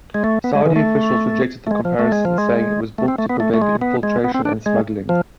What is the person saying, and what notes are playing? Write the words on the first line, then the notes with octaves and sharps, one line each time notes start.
Saudi officials rejected the comparison saying it was built to prevent infiltration and smuggling.
G#3
A3
B3
G#3
E3
A3
A3
G#3
F3
A3
G#3
F3
G#3
A3
C4
A3
B3
A3
A3
G#3
B3
G#3
B3
C4
D4
G#3
F3